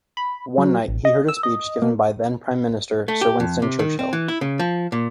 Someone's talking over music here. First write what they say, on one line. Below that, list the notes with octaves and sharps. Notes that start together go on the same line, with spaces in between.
One night he heard a speech given by then-Prime Minister Sir Winston Churchill.
B5
F#3
A1
D#5
E6
D#5
A#3
A3
G4
F2
C3
D#3
C4
E3
E4
C#3
F3
A#2